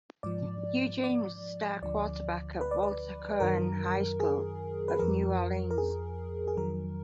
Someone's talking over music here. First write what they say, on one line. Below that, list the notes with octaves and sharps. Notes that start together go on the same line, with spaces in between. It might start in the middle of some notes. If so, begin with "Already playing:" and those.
Eugene was a star quarterback at Walter Cohen High School of New Orleans.
G#2 F3 D5
D5
D2 D3 F3 D5
B4
D5
B4
F#2 D#3 F#3 A#4
G#4
B4
F2 F3 A#4
A#4
G#4
G#4
F2 D#3 F#3 A#4